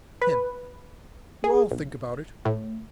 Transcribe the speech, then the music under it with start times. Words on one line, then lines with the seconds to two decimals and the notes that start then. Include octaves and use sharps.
HIM: I'll think about it.
0.22 B4
1.44 G#4
1.71 B1
2.45 A2